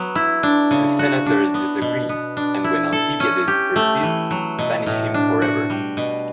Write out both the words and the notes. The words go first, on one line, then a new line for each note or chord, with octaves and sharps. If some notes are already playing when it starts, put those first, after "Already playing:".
The senators disagree, and, when Alcibiades persists, banish him forever.
Already playing: F#3 B3
E4
D4
C#3
F#4
D4
B3
B2
B3
D4
E4
A4
C#4
G4
A3
E3
F#3
B2
A2
D4
F#4
G3
B2